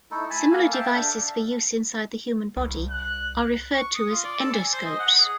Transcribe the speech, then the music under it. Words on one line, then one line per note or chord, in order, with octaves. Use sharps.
Similar devices for use inside the human body are referred to as endoscopes.
A3 D#4 E4 A4
G#5 A5 B5
A#3 A4 F5 G#5
E5 F5 G5 A5
D4 A4 E5
C2
F#6
C#6
D#6
F4
D5
A4
G#5
C5
D#5
F#5
G#4